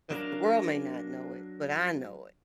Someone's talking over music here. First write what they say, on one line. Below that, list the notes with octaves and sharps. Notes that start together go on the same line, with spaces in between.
'Cause the world may not know it, but I know it.
F#3 D4 A#4 F5